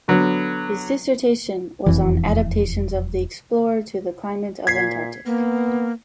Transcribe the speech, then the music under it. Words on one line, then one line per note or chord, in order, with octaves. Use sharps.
His dissertation was on "Adaptations of the Explorer to the Climate of Antarctic".
D3 F#3 B3
E1 F2 E3
A#2 G#6 B6 C7
A#3 B3